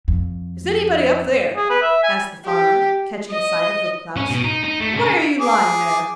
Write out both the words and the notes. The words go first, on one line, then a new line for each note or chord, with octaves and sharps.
'Is anybody up there?' asked the farmer, catching sight of Little Klaus. 'Why are you lying there?
F2
G#4
B4
E5
G#5
G4
D#5
C#4
B2
D#4
D#4
A3
D3 C#4
G#4 D6